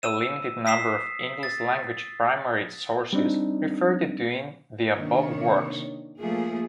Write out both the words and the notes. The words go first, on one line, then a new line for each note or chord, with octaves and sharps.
A limited number of English language primary sources referred to in the above works.
E6 D#7 E7
D#6 B6 C7 E7
A6
G3 C4 D4 D#4
C3 D#3 A#3 D4 C#5
F3 A3 A#3 G#4